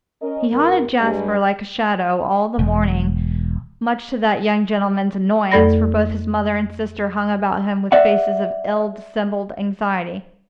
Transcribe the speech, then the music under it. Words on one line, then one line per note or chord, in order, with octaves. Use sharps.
He haunted Jasper like a shadow all the morning, much to that young gentleman's annoyance, for both his mother and sister hung about him with faces of ill-dissembled anxiety.
C#4 A#4 D#5
G2 A#4
G2 G3 G#3
E1
F2 A3 A4 D5 B5 A#6
D5 E5 F#5